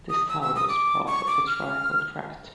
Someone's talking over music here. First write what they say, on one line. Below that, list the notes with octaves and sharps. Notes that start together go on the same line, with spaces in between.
This town was part of The Triangle Tract.
D#6
E6
E6
D#6
D6
C#6
D6
F6